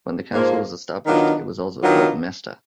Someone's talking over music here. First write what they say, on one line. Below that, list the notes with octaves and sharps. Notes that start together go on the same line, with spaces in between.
When the council was established, it was also called "mesta".
G#2 F3 A#3
D#3 F#3 B3 D4 F4
D#3 F#3 B3 D4 F4